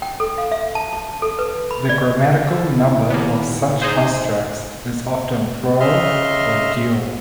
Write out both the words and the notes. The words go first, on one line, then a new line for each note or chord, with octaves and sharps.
The grammatical number of such constructs is often plural or dual.
G5
A4
F5
E5
A5
A5
A4
B4
B5
D5
E4 A4 A#4
D#1 A#3 B3 G4 B5
D#4 G#4 C5
C#3 D#5 E5 C6 F6